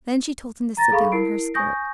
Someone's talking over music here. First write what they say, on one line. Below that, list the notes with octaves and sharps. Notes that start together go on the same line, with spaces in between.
Then she told him to sit down on her skirt.
A#5 A6 A#6
G#4 A4 F5 B5 C#6
E4 A#4 C7 D7
G#5 C#6 D#6 G6 A#6